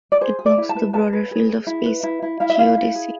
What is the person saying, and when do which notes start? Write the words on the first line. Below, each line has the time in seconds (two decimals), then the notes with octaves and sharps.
It belongs to the broader field of space geodesy.
0.12 D5
0.21 G#4 C5
0.39 G#4
0.46 D5
0.58 E4
0.69 A5
0.76 B4
0.93 B4 A5
1.13 B4
1.31 G#4
1.49 G#4
1.67 E4
1.86 B4
2.03 E4
2.22 E4
2.40 E4 F5
2.50 E5
2.59 E4 F5
2.77 E4
2.95 G#4